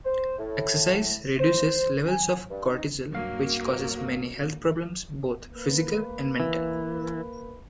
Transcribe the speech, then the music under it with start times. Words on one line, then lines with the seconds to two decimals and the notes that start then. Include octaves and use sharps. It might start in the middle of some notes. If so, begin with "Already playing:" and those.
Exercise reduces levels of cortisol, which causes many health problems, both physical and mental.
0.04 C5
0.38 A2
1.39 C5
2.08 G#5
2.50 G2
2.66 D#4
3.11 B1 G2 F#3 A#3 F5
5.53 A#3 B4
6.40 E3